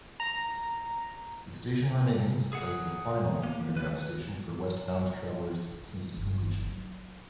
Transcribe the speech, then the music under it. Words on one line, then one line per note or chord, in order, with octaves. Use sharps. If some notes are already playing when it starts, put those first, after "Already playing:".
The station remains as the final underground station for westbound travelers since its completion.
A#5
G#4 F#5
A#3
C#2 B4
E4
G#3
G1
F#3